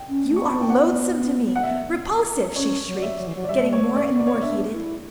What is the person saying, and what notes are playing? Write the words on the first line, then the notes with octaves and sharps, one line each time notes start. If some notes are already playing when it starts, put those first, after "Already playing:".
"You are loathsome to me, repulsive!" she shrieked, getting more and more heated.
Already playing: G5
C#4
A3
B3 C#6
B5
A5
G5
F#5
F#5
E5
C#4 C#5
F#3
D5
E5
F#3
E3
F#3
D5
G3 E5
A3
G3
C#5
A3
D5
C#4
B3
D5
C#5
D5
D4 E5
E4